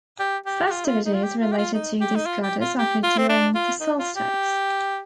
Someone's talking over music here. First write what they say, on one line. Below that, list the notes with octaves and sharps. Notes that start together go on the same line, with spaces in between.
Festivities related to this goddess occurred during the solstice.
G4
G4
G4
F4
D#4
F4
D#4
F4
G4
F4
G4
F4
D#4
G4
D#4
F4
G4
F4
G4
F4
C4
D4
F4
D#4
F4
G4